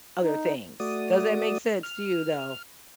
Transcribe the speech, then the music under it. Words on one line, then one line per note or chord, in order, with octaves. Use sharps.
other things. Does that make sense to you, though?
D#4
A3 F#4 D5 D#6
F6